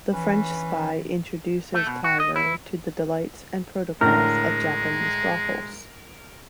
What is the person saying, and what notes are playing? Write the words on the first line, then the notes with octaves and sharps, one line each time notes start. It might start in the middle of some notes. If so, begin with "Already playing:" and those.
The French spy introduces Tyrer to the delights and protocols of Japanese brothels.
E3 C#4 B4
A3
B2
F#4
D#5
E4
A2 D3 G#3 A#4